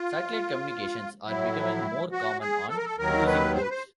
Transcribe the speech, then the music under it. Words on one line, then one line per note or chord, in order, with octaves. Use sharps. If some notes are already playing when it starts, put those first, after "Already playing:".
Satellite communications are becoming more common on cruising boats.
Already playing: F4
A2 F#3 E4
F#4
G#4
A4
A#4
A4
D#2 D#3 F#3 A#4
B4
C5
B4
C5